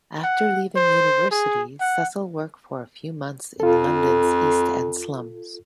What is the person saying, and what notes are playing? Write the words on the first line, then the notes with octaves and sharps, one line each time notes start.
After leaving university, Cecil worked for a few months in London's East End slums.
F#5
C5
G#4
F#5
F2 F4 A4